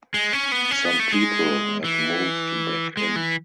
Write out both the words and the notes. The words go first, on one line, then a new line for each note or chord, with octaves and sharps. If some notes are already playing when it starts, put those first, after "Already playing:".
Some people have moved back in.
G#3
C#4
B3
C#4
B3
A3
G#3
E3
G#3
E3